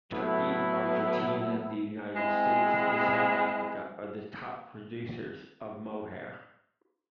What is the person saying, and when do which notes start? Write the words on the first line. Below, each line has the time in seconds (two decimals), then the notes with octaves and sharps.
Turkey, Argentina, the United States, and South Africa are the top producers of mohair.
0.11 A2 F#3 B3 E4 A4
2.15 G#3 C4 E4 G#4